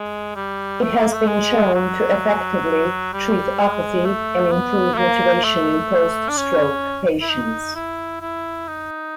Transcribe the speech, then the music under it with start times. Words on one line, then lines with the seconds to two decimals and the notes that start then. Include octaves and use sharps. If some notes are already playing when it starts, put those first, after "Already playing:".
It has been shown to effectively treat apathy and improve motivation in post-stroke patients.
Already playing: G#3
0.35 G3
0.81 A3
0.97 A#3
1.13 A3
1.28 G#3
1.74 F#3
3.13 G3
3.59 G#3
4.05 A3
4.51 B3
4.93 A3
4.98 A#3
5.44 A3
6.29 D4
6.37 C#4
7.21 E4
7.29 D#4
7.75 E4
8.21 E4
8.68 D#4